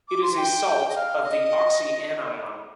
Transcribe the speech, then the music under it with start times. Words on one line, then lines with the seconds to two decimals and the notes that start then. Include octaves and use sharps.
It is a salt of the oxyanion.
0.08 D6
0.22 C6
0.36 G5
0.89 D#5
0.95 F5
1.23 D#5